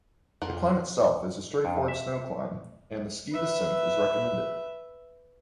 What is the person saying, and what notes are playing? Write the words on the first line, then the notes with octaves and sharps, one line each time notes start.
The climb itself is a straightforward snow climb, and the ski descent is recommended.
F2 F4 A#4 F#5
F2
E5
B4 E5